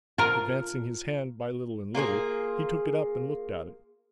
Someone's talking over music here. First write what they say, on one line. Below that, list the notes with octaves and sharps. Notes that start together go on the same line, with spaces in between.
Advancing his hand by little and little, he took it up and looked at it.
F4 A#4
A#3 F4 F#4 G#4